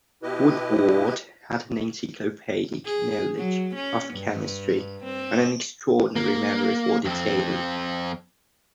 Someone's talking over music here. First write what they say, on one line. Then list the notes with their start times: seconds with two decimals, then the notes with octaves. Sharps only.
Woodward had an encyclopaedic knowledge of chemistry, and an extraordinary memory for detail.
0.23 B2 E4 G4 B4 D#5
2.86 G#4
3.37 F#3
3.76 C#4
4.14 G2
5.05 C4
6.16 A#3
7.05 F2 C4